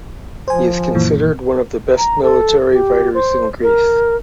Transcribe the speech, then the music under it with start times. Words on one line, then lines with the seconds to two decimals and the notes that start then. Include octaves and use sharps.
He is considered one of the best military writers in Greece.
0.48 F3 C5 G#5
0.95 F#2 A#2 E3
1.97 A#5
2.23 A4
2.72 G4
3.14 C5
3.62 A#4